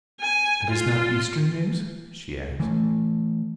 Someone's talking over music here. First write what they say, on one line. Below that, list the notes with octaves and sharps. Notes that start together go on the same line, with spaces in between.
"It is not Eastern news?" she asked.
G#5
F4
E3 A3